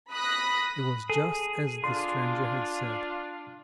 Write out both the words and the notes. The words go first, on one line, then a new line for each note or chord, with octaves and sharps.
It was just as the stranger had said.
B5 D#6 F#6 A#6
G#4 A4
D4 F4 C6